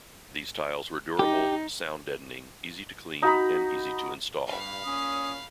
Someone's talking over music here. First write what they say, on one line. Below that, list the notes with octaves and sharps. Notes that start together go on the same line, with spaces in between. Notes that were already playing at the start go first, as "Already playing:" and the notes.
These tiles were durable, sound-deadening, easy to clean and easy to install.
D#4 G4
D#4 F#4 A#5 B5
G2 F5 B5
A#2 C#4 D#6